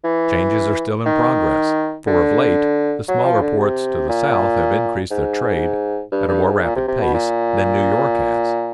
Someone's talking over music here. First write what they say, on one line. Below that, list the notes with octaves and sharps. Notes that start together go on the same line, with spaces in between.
Changes are still in progress, for of late the smaller ports to the south have increased their trade at a more rapid pace than New York has.
E3
D#3
D3
F#3
F3
D3
C3
A#2
G#2
G2
G2
G#2
A#2
C3
C3
B2
A#2